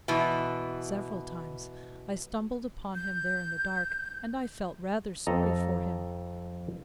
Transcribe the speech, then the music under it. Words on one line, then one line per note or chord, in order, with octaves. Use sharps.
Several times I stumbled upon him there in the dark, and I felt rather sorry for him.
B2 E3
G6
F2 A4 D#5 A#5